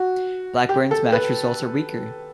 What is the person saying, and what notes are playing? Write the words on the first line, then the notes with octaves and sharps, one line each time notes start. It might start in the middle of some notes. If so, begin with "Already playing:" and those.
Blackburne's match results are weaker.
Already playing: F#4
G4
A4
B4